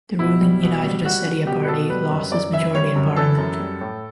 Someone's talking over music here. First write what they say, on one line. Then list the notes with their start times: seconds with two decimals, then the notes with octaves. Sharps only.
The ruling United Ossetia party lost its majority in parliament.
0.19 B2 E4
0.41 G3
0.63 B2
0.83 G3
1.04 G3 F#4
1.25 G3
1.47 B2 G4
1.64 B4
1.68 B2 A4
1.90 G3 B4
2.11 F#2
2.32 F#2 D5
2.53 E3 E5
2.75 G3 C#5
2.96 F#2
3.16 E3 A4
3.38 F#2
3.59 G3
3.81 A2